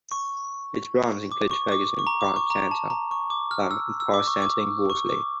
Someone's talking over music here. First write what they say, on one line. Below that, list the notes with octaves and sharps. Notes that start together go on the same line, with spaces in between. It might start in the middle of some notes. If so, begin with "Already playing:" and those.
Its brands include Ferguson, Pipe Centre, Plumb and Parts Centre and Wolseley.
C#6
D6
C#6
D6
C#6
A#5
D6
C#6
A#5
A5
A#5
C#6
D6
F6
E6
E6
D6
C#6
D6
C#6
D6